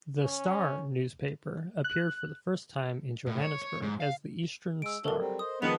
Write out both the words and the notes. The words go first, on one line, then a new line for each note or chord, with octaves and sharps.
"The Star" newspaper appeared for the first time in Johannesburg as The Eastern Star.
C#4
F#6
A2
C#5
C#5
G#2
F5
G#3 E6 D7
E3 D4 F#4 A4 A#4
F#3 G3 C4
C5 D#5 D#6
D#3 F3 G#3 B3 D#5 A5 F7